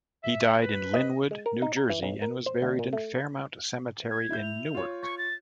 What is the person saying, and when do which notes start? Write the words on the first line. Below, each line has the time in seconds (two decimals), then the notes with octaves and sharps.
He died in Linwood, New Jersey, and was buried in Fairmount Cemetery, in Newark.
0.23 E5
0.62 B4
0.94 D#5
1.31 G#3
1.46 A#4
1.62 D#4
1.77 A#5
1.90 E3
2.03 B1
2.22 A#4
2.46 C5
2.62 D2
2.79 A#2
2.93 A3
4.10 G#6
4.30 E4 G6
4.43 F7
4.75 F4 C#5
5.03 C#6
5.18 A6